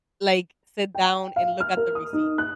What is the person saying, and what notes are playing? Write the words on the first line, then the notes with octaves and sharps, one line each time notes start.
like, sit down and look at the receipt.
G5
F5
F6
A#4
D#6
D#4
F#6